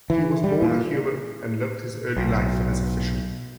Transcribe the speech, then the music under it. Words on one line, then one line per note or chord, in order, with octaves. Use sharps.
He was born a human and lived his early life as a fisherman.
E3
G3
A#2
B1